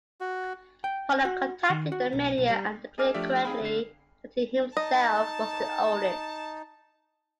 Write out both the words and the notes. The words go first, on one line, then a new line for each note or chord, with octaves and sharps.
Pollar contacted the media and declared correctly that he himself was the oldest.
F#4
G5
F#4
D#3
F#4
B1
B1
G3
G#4 A#4 D#5 G#5 D6 F6
F3 A3 D4 G4 D5 E5
C4 D#4 G#4 F5 G5 B5
D3 C7
D#4 D#5 A5